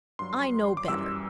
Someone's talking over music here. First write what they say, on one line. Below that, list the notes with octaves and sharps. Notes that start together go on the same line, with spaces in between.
I know better.
G2 F#3 C6
D6
F#2 E3 G3 E6